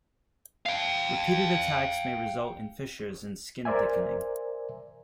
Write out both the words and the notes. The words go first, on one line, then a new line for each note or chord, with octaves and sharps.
Repeated attacks may result in fissures and skin thickening.
F5 G5
A#4 C5 D5 E5 G#5